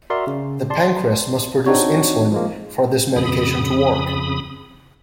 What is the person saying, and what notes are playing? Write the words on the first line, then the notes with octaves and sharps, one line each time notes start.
The pancreas must produce insulin for this medication to work.
F#4 A#4 D5 E5 C6
C#3
D5 A5 C6
C4 D4 D#4 F#4 C#5
F3 G#3 A#3
F2 C#3 B5 D#6